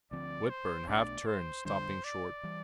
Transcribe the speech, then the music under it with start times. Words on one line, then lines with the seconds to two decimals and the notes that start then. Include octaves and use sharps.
Whitburn half-turned, stopping short.
0.11 D2 D3 F3 C4 D5
0.50 C5
0.88 B1 B2 A3 D4 D5
1.27 C5
1.65 F2 D3 G3 D4 C5
2.04 D5
2.43 E3 G3